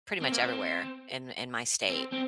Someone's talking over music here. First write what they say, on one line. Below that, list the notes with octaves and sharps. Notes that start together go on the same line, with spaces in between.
pretty much everywhere in in my state.
C4
A#3
C4
C4
C4